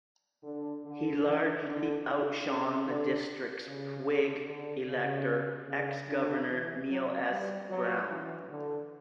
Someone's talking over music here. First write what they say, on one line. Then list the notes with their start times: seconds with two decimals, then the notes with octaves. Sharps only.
He largely outshone the district's Whig elector, ex-Governor Neill S. Brown.
0.43 D3
0.84 D3
1.24 E3
1.65 D3
2.05 C#3
2.45 C#3
2.86 D3
3.66 C#3
4.07 D3
4.46 D3
4.87 C#3
5.68 C#3
6.07 D3
6.48 E3
6.88 F#3
7.29 G3
7.69 F#3
8.09 E3
8.49 D3